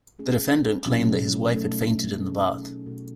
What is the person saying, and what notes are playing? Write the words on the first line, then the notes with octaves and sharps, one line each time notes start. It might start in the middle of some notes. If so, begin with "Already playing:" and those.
The defendant claimed that his wife had fainted in the bath.
A3 C#4 G#4
B2 F#3 C#4 E4
A3 D#4 A4
A3 C#4 G#4
B2 A3 C#4 F#4 A4